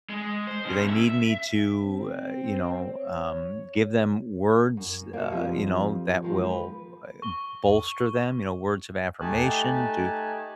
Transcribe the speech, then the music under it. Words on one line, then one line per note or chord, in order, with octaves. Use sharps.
do they need me to, uh, you know, um, give them words, uh, you know, that will u e bolster them? You know, words of affirmation? Do
G#3
C5
B2 C#4
E5
C4
C#5
F#2
B2 A#3
F2 F3 G3 G4 D#5
D#3 F3 G#3
A#4 B4
C#6 G7
A3 D#4 G4 G#5 A5 F#6